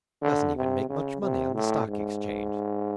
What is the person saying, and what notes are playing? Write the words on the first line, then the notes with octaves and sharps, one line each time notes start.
He doesn't even make much money on the Stock Exchange.
D3
C3
C#3
C3
A2
G#2